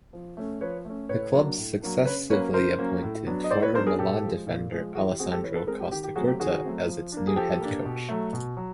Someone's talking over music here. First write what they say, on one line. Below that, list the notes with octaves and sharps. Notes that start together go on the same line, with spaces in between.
The club successively appointed former Milan defender Alessandro Costacurta as its new head coach.
F3
A3 C#4
F3 B4 C#5
A3 C#4
A2 B4 C#5
F#3 A#3 D4
A2
F#3 A#3 D4
C#3 B4 C#5
F#3 A#3 C#4 B4 C#5
C#3 A#4 C5
F#3 A#3 C#4
A2
F#3 B3 D4
D#5
A2 C5 D5
B4 C#5
F#3 B3 D4 A#4 C5
G#4 A#4
A#2 G4 A4
F3 G#3
A#2
F3 G#3
E3 F#4 G#4
G4
G#3 C4 F#4 G#4
G4 A4
E3 B4 C#5
A4 B4
G#3 C4 G#4 A#4
G4
D#3 G4
G4
F#3 A3 C4 F#4 G#4
G4
D#3 F#4 G#4
F#3 A3 C4
F3
A#3 D4
G#4
F3 G4 A4
A#3 D4
B2
F#3 A3
B2
F#3